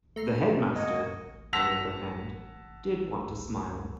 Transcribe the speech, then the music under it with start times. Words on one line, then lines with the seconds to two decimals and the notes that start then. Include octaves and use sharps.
The headmaster, on the other hand, did want to smile.
0.16 A3 A#5 C7
0.76 G#3 A#3 F#4 D#5
1.53 F#5 A5 E6 A#6 B6 F7